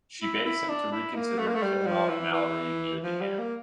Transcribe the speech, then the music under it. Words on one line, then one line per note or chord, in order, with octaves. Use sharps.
She begs him to reconsider killing off Mallory near the end.
E4
E4
D4
E4
A#3
A3
A#3
A3
G3
F3
E3
E3
F3
G3
A#3